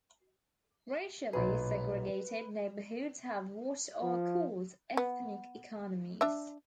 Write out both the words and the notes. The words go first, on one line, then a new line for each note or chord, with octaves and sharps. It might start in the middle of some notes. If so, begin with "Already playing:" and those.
Racially segregated neighborhoods have what are called ethnic economies.
B1 A#2 G#4 B4
F3
B3
D4 E5